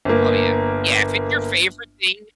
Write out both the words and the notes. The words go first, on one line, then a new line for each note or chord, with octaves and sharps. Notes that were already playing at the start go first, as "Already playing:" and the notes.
Oh, yeah. Yeah. If it's your favorite thing
G1 A#3